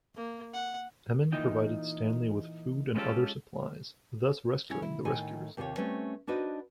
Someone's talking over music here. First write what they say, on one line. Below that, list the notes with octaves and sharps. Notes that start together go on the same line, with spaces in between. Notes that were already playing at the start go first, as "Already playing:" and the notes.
Emin provided Stanley with food and other supplies, thus rescuing the rescuers.
A#3
F#5
A#2 E3 D#4 G5
G#3 B3 C#4 F4 G4 A4
C#4 E4
E4
A2 D#3 A4 G#5
D#2 C3 F4 A#4 C#5
G3 A3 C4 C#4 B4
D4 D#4 F#4 B4 C5 D#5